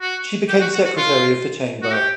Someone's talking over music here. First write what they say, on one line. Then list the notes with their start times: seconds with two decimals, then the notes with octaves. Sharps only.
She became secretary of the Chamber.
0.01 F#4
0.48 G4
0.60 F#4
0.73 F#4
0.85 F#4
0.97 F4
1.82 F#4
1.93 G4